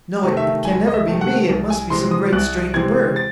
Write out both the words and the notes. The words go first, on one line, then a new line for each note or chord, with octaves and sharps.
No, it can never be me; it must be some great strange bird.
C3 D#3 A3
E5
C#2 G#5
D#5
E5
C3 D#3 A3
F#5
C2
G#5
C3 E3 G#3 C4 C6
D#6
C2 F#6
C3 E3 G#3 C4 G#6
A6